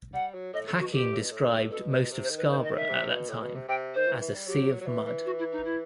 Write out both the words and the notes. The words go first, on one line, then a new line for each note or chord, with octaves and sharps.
Hacking described most of Scarborough at that time as a "sea of mud".
G3 F#5
F#3
A2 D#5
A4
A2
F#4
B2
A2 G4
B2
A2
B2
A2
B2 A4
B4
C3
C5
D#3
B4
C5
D#5
E5
C3
B2
A2
B2
C3
C3 G5
D#3 C5
E3
E3
G3
F#3 G4
F#3
E3
E3
F#4
E4
D#4
E4